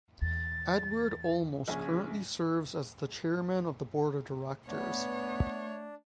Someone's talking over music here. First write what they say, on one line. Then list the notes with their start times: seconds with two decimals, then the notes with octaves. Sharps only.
Edward Olmos currently serves as the Chairman of the Board of Directors.
0.22 E2 A6
1.68 A#1 C#3 C#4 G#5
4.68 A3 B3 D4 C#5